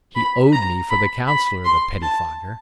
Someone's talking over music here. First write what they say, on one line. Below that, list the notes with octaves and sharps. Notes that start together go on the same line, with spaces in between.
"He owed me for the councillor, the pettifogger!"
B5
A#5
B5
B5
C6
A5